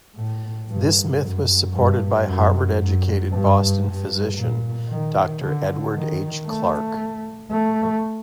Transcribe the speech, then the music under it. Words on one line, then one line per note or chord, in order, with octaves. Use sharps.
This myth was supported by Harvard-educated Boston physician Doctor Edward H. Clarke.
A2
G2
F#2
G2
F#2
F#2
G2
G2
A#2
D#3
D3
D#3
A3
A3